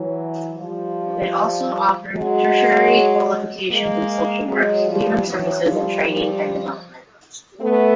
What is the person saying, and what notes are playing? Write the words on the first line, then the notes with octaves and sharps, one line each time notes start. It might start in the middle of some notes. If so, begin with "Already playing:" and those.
It also offered tertiary qualifications in social work, human services and training and development.
Already playing: E3 F#3
F3 G3
F#3 G#3
G#3 A#3
F#3 G#3
F3 G3
E3 F#3
F3 G3
F3 G3
A3 B3